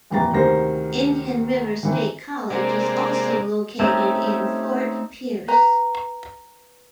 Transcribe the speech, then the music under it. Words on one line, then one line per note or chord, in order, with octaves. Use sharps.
Indian River State College is also located in Fort Pierce.
D#1 F2 E3 G5 A#5 A6
D2 C3 D#3 A#4 C5 A#6
D#3 E3 C4
C3 G#3 A#3 D4
A3 C4 C#4 D#4 G4
B4 A#5